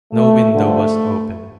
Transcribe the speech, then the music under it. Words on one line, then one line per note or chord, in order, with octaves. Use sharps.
No window was open.
A3
G2 D3 F3 A3